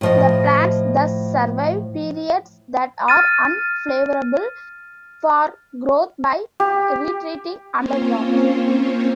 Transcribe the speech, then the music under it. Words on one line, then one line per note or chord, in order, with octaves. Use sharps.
The plants thus survive periods that are unfavourable for growth by retreating underground.
A2 F3 D#5
F6 A6 D#7
G4
A#3 C4 C#4 F4 C5 C#5